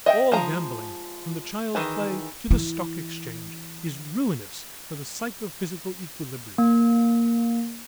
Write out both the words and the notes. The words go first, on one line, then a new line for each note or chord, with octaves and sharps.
All gambling from the child's play to the stock exchange is ruinous for the psychophysical equilibrium.
D#5 E5 F#5 G5
F3 G#3 A#5
D#3 E3 G#4
E3 E4
A#3